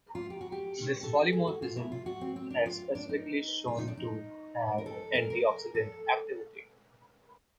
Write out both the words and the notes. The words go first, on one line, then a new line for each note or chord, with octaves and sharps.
This polymorphism has specifically been shown to have antioxidant activity.
F4
G4
F#4
G4
A4
G#4
F#4
F4
E4
F4
F#4
C4
C4
D4
F4
D4
D#4
F4
D#4
D4
D#4
A#4
A4
A#4
A#4
A4